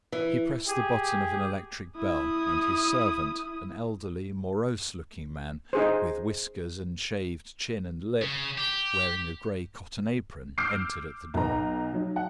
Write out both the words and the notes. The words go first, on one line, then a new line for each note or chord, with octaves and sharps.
He pressed the button of an electric bell, and his servant, an elderly, morose-looking man, with whiskers and shaved chin and lip, wearing a grey cotton apron, entered at the door.
E3
G4 G#4
E4 D#6
D#4 G#4 C5
C#3
G4
D6 E6 F6 G6 C7 D7
B1 A#5
F#3 D#4
F#5